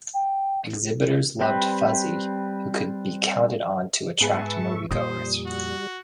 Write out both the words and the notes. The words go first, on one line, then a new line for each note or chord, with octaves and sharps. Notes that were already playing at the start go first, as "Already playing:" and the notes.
Exhibitors loved Fuzzy, who could be counted on to attract moviegoers.
G5
G3 C4 B4
G#2 B3 G#4 B4 E5 A5 C#6
F2 A#2 G3 C5 D#6
F#4